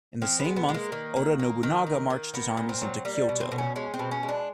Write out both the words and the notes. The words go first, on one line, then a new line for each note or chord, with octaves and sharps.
In the same month, Oda Nobunaga marched his armies into Kyoto.
F3 C4
B3
G#3
B3
G#3
A#3
D#3
D#3
A#3
D#3
A#3
D#3
A#3 B3
A#2
C4
F#3
G3 A#3
B2
C4
B2
C#4
G#3 C#4
C4
B2
C#4
G#3
D4